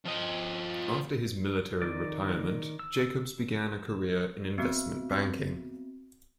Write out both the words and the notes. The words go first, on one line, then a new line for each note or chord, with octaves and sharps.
After his military retirement, Jacobs began a career in investment banking.
F3 D#5
D#3 D5
E6
B3 C4 F#4